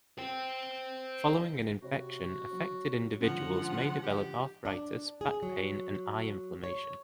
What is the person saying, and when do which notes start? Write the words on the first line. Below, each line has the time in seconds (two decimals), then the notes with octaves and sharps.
Following an infection, affected individuals may develop arthritis, back pain, and eye inflammation.
0.18 C5 G5
1.82 C3 F#4 C#5 B5
2.50 F#3 C#4
3.21 G#2 D3 F3 C#4 F#5 A#6
4.03 G4
4.65 D4
5.21 G#4
5.42 F#3
6.63 C#5